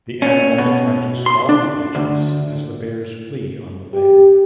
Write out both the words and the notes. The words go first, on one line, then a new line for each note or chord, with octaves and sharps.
The animals try to stall the agents as the Bears flee on the van.
C#4
B2
C6
D4
D2
G4